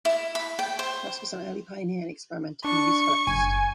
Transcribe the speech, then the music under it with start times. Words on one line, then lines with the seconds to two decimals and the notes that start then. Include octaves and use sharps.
Crosse was an early pioneer and experimenter in the use of electricity.
0.05 E4
0.35 B5
0.59 G5
0.79 C5
2.65 D4 C#6
3.27 F#1 G#5